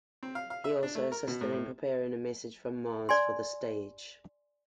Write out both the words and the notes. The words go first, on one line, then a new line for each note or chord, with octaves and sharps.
He also assisted in preparing "A Message From Mars" for the stage.
C4
F5
F5
E5
D4
A3
A#4
B2
A2
A2
D5 G#5 C6